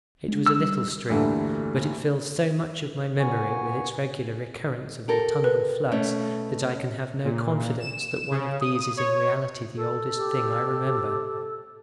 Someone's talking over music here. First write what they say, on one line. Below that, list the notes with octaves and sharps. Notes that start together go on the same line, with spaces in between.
It was a little stream, but it fills so much of my memory with its regular recurrence of autumnal floods, that I can have no confidence that one of these is in reality the oldest thing I remember.
G#3 D4
E6
G3
D2 G2 D3 E3 A3 A#3
A#2 B3 G#5 C#6
G4 A4 A#4
B4
B2 A3 C#4
A#2
E7
C#3
D#6
C#5
A4
G4